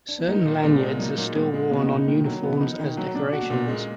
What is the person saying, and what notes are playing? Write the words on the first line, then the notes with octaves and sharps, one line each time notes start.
Certain lanyards are still worn on uniforms as decorations.
D4
B3
F#3 A#3 D#4
A#2
A#2 G#3 B3
G#3 D4
B3
F#3 A#3 D#4
A#2 F#3 A#3
A#2 G#3 B3
G#3
B2 B3
B2
A#2 D#4
B2 D#3
B2
A#2 D3 F#3
B2 D#3 B3
D3 F3 D#4
A#2 D3 D#3
B2 F#3
B2 D4
D3 F#4
B2
A#2
G#3